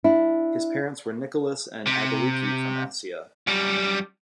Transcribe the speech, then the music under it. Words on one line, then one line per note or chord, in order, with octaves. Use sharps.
His parents were Nicolas and Aggeliki from Assia.
D4 E4
C3
F#2 G3